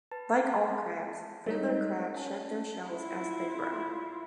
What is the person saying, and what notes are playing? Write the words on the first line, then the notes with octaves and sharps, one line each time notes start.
Like all crabs, fiddler crabs shed their shells as they grow.
B4 A5
G3 G#3 D#4 A#4 C#5 D#5
C#4 F5 A5
E4 F4